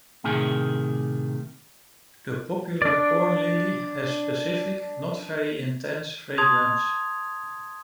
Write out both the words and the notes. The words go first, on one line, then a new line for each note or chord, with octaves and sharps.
The popular corn lily has specific, not very intense fragrance.
A2 C3 D#3 G#4
D4 D5
A5 C6 D#6 G#6 F7